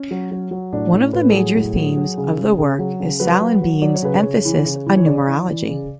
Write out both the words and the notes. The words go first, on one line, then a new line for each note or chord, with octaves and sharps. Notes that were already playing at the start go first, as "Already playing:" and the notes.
One of the major themes of the work is Salimbene's emphasis on numerology.
Already playing: C#4
F#3
F#3
F#3
A2 D4
A2 D4
A2 B4
A4
F#3 G#4
A2
F#3
F#3
C#3
C#3
C#3
F#3
C#3
F#3 B4
F#3
F#3
F#3 D5
C#5
C#3 B4
C#5
C#3
E3
C#3
E3
C#5
C#3 D5
E3
E3
C#3